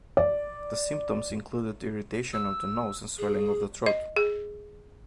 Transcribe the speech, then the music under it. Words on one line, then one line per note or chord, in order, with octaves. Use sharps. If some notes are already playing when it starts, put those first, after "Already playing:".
The symptoms included irritation of the nose and swelling of the throat.
D5
E6
G#4
D#5
G#4